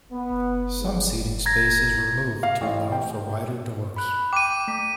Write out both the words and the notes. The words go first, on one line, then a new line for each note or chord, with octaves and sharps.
Some seating space is removed to allow for wider doors.
B3
G#2
A#5 G#6 A#6
F5
A1
G5
B5 F#6
G5 D6 D#7
A3 B6